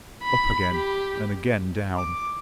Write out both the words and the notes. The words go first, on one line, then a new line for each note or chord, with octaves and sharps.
Up again, and again down.
B5
G4
D6